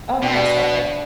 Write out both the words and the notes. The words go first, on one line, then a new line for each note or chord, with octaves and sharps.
Oh, nice, okay.
B2 D4